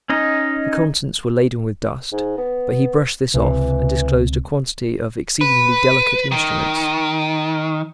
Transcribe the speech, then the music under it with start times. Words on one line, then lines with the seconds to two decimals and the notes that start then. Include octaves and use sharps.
The contents were laden with dust, but he brushed this off and disclosed a quantity of exceedingly delicate instruments.
0.10 C#4 D#4 D#5
2.12 G#2
2.38 B3
3.34 C#2 C3 E3
5.41 B4
6.32 D#3